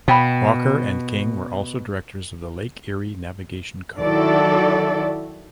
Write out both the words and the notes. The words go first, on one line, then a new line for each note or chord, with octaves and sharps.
Walker and King were also directors of the Lake Erie Navigation Co.
B2 F5 G5 B5
D#3 F#3 E4 F#4 A4 D5